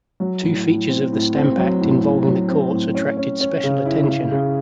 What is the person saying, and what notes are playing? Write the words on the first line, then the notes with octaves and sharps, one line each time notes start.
Two features of the Stamp Act involving the courts attracted special attention.
F#3
A2
A2
C4
A2
C4
F#3
A2
A2
F#3
C4
A2
C#4
C#4
C#4
C#3
E4
C#3
C#3